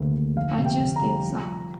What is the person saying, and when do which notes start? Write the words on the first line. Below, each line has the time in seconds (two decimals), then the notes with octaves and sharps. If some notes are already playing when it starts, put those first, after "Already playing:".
Banjo Steps Out.
Already playing: D2 C3 A#3
0.14 D2
0.36 F1 F5
0.59 C3
0.66 G5
0.81 C3
0.96 A#5
1.02 G3
1.25 F3